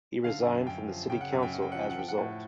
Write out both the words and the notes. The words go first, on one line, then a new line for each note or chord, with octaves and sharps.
He resigned from the city council as result.
D3 F5
F#2
F#2 G5
F3
C#3 G5
F#5
F#2
G5
F#2 F#5
G5
F3 F#5
G5
F#5
F3 G5
F#5
A2